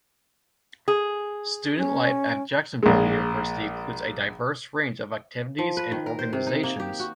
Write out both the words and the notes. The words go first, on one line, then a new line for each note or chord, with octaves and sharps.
Student life at Jacksonville University includes a diverse range of activities and organizations.
G#4
C#4
A#1 G#3
F3
B4
D#3
A#4
C5
C3
D#4
A#3
G4
F#4